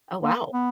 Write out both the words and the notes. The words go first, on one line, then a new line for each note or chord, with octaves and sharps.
Oh, wow.
A#3
B3